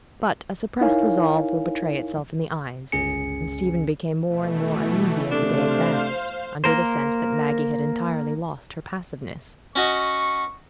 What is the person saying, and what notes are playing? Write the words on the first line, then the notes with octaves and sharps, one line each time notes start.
But a suppressed resolve will betray itself in the eyes, and Stephen became more and more uneasy as the day advanced, under the sense that Maggie had entirely lost her passiveness.
D#4 E4 A#4 C#5 F5 G#5
G1 C#2 C#4 G#4 G#5 C#7
B2 E3 A3
C3 A3 D4 C5 F5
A#3 A#4 C5
C#4 F#4 D#5 C#6